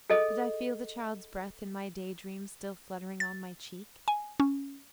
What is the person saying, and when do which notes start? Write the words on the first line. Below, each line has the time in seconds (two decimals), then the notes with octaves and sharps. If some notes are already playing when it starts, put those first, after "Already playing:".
Did I feel the child's breath, in my day-dream, still fluttering on my cheek?
0.10 G#4 A4 D#5
3.20 A6
4.08 G#5
4.40 C#4